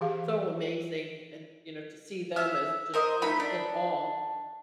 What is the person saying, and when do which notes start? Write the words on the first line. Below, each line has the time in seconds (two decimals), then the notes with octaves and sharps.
so amazing, and, you know, to see them as just you're in awe.
0.01 E3 G4 G#4 F5
2.36 E5 F6
2.94 A#4 C5 D#5
3.22 A3 D#4 B5
3.40 D4